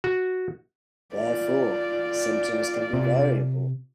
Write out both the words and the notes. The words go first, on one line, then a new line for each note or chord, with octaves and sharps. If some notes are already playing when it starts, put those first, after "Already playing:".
Therefore, symptoms can be variable.
F#4
F4 D5
C3